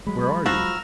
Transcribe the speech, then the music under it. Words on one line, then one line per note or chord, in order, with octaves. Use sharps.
"Where are you?"
F#3 G#3 B5
F3 F#4 A#5 E6 F6